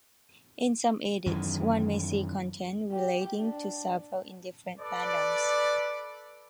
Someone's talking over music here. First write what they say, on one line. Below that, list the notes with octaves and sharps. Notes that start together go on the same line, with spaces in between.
In some edits, one may see content relating to several different fandoms.
F#2 D#3 E3
G4
D4
A4 B4 D5